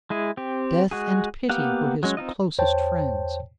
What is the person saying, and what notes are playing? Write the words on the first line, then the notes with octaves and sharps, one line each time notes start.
Death and Pity were his closest friends.
G#3 E4 G#4
C4 G4
G#3 F#4 G#4
A#3 B3 G4 F5 F#5
F#3 G#3 C#4
C4 D#4 F4 D#5
E2 C5 C#5 G5 A5